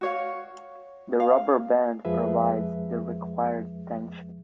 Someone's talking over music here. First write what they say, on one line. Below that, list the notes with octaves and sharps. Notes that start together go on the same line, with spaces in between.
The rubber band provides the required tension.
F#4 C#5 F5
F5
F2 F3 G#3 G#4 B4 E5